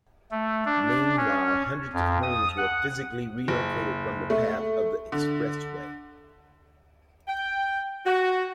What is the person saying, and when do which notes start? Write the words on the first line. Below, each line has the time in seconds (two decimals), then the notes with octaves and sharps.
Meanwhile, hundreds of homes were physically relocated from the path of the expressway.
0.31 A3
0.65 D4
1.17 C#4
1.93 F2
2.23 D#6
2.57 F#5
3.48 F#1
4.30 A3
5.12 D3
7.28 G5
8.06 F#4